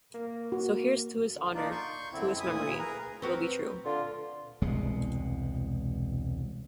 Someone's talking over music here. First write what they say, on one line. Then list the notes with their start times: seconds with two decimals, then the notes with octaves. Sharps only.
So here's to his honor to his memory we'll be true.
0.14 A#3
0.52 A#3 F#4
1.33 D3
1.55 A#3 D4 D#4 F4 D5
1.71 C6 C#6 G6
2.13 F#2 D3 C4 E4
2.40 D2 A#2 E4 E5 G#5 D#6
2.79 G#4 A#4 B4 A#5
3.22 C4 F#4 A#4 B4
3.85 D3 F4
4.62 E1 C2 B2 G#3